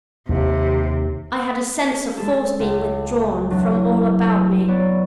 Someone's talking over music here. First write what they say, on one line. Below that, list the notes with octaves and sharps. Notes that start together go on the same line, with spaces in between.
I had a sense of force being withdrawn from all about me.
D#2 C3
G#3 G#4 A4
C#2
E2 F#3 D4
B3 C#5 D5